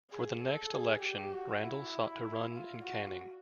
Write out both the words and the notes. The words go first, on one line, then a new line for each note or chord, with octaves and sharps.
For the next election, Randall sought to run in Canning.
G#4
A4
G#4
G4
F#4
E4
F4
F#4